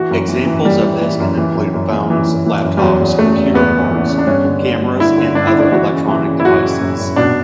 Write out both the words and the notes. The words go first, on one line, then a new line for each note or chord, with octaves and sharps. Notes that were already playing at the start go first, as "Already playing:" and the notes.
Examples of this can include phones, laptops, computer parts, cameras and other electronic devices.
Already playing: E3 F#4
F#2
E3
E3
E3 G3
E3
E3
F#2
E3
F#2
F#2
E3
E3
E3
E3
F#2
G3
E2 F#3
E2
C#3 A3
E2
E2 B3
C#3
E3
C#3
D4
G2 C#4
D3
D3
G2
D3 E4
D3
G2 D4
E4
D3 D4
E3 F#4
C#3
E3
C#3
E4
F#2 F#4
C#3
F#2
F#2
B2 D4